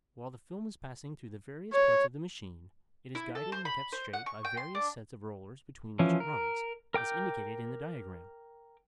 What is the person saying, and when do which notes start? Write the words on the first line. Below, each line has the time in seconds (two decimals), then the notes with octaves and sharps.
While the film is passing through the various parts of the machine it is guided and kept straight by various sets of rollers between which it runs, as indicated in the diagram.
1.73 C#5
3.15 E4
3.35 A4
3.52 C5
3.65 B5
3.92 C5
4.13 F#5
4.26 C#6
4.45 G5
4.57 C6
4.75 D4
5.99 E3 F3 C#4
6.20 A#4
6.94 A#4 G5 D6 G6